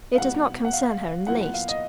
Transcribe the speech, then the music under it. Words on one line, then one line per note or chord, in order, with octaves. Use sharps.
It does not concern her in the least.
F5
B2 G3 B3 E4 G4 F#5
F#5
F5
A#2 F#3 B3 E4 F#5
F#5
F5
D#5